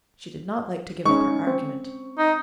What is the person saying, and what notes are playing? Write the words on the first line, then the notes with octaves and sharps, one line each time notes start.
She did not like to give up her argument.
G#3 C#4 D#4 C#6
C4
D#4